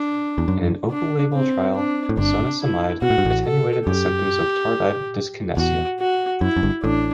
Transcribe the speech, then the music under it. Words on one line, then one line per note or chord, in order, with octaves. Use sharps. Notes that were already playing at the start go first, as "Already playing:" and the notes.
In an open-label trial zonisamide attenuated the symptoms of tardive dyskinesia.
Already playing: D4
E2
F#2
D4
C4
D4
A2
G1 G2 D4
E4
B2 F#4
A2
G2
A1 A2
A4
F#2 G4
E2 F#4
F#4
F#2 E4
F#2
G1 G2
A1 A2 D4